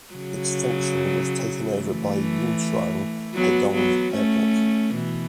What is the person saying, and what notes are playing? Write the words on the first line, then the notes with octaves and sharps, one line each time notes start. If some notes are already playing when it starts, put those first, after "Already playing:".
Its function was taken over by Yinchuan Hedong Airport.
C#3 F#3
E3 A3
F#3 B3
F#3 B3
A3 C#4
B2 E3